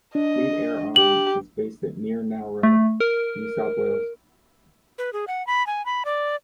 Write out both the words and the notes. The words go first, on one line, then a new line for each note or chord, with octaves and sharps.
The Fleet Air Arm is based at near Nowra, New South Wales.
D4 D#5
G4 F#7
A3
A#4
B4
G#4
F#5
B5
G#5
B5
D5